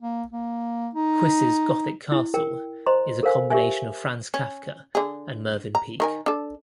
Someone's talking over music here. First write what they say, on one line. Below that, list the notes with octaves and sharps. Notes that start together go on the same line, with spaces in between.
Quiss's Gothic castle is a combination of Franz Kafka and Mervyn Peake.
A#3
A#3
D#4
E4
A#4 G5
C5 D#5 A#5 C6
A4 A#4 C5 F5 G#5
G4 A#4 E5 G#5
C#4
D3 G#4
A#5
D#3 A#4 G#5
D4 A4